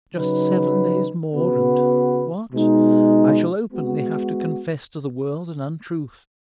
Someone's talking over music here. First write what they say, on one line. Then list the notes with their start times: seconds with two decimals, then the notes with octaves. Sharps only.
Just seven days more and what!--I shall openly have to confess to the world an untruth!
0.15 C#3 F#3 D#4 B4
1.34 C#3 B3 F#4 B4
2.52 B2 G#3 D#4
3.70 G#3 B3 F#4